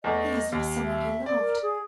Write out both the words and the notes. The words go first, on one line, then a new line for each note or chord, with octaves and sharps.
'He has lost someone he loved.
E2 A3 D#5
D#2
E5
D5
A#4
G#4